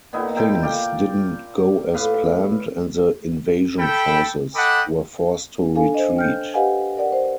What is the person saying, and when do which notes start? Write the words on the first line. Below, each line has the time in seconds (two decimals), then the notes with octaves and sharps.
Things didn't go as planned and the invasion forces were forced to retreat.
0.13 A#2 D#3 B3 E4
0.36 D#3 E4 G5 A#5
0.63 D5 F5 G5
1.94 A2 B4 F5
3.79 A4 G5 B5
4.55 A4 D#5 F#5 G5 B5 D6
5.75 D4 A4 F5 G#5
5.94 C5 D#5
6.16 G5 F6 G6
6.54 G4 B4 D#5 F5 F#5 G#5
6.97 A#4 D5 F#5
7.12 C5